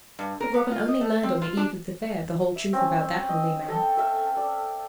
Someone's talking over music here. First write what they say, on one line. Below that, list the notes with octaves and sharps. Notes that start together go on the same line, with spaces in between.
But Robin only learned on the eve of the Fair the whole truth about that holy man.
G2
A#4
B3
F4
D#5
A3
C4
F4
D4
E5
C4 C#4
D#5
A4 G5 A5
A4 E5 F5
D5